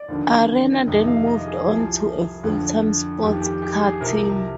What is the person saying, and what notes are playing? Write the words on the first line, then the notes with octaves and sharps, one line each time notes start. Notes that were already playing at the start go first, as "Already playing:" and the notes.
Arena then moved on to a full-time sports car team.
Already playing: D5
D#2 D3 F3
F2 C3 D#3 D#5
D#5
F5
D#5
G#4
C2 C3 F3 G#4
F2 D3 F3
F2 D#3 G4
G4
G4
G4
G#4
C2 C3 F3 A#4